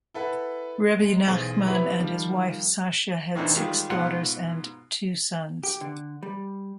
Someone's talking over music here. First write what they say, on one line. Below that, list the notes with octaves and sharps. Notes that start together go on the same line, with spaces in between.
Rebbe Nachman and his wife Sashia had six daughters and two sons.
E4 A4 B4 F#5
G#3
B1 E2 G#4 C5 A6
F#3 B3 E4 G4 B4
D#3 F3 G3
A2 C3 E3 C4 D4 D#4
D#3 G3 G#3 F4
G#2 B2 F4 F#5 C6
G4
D3
G3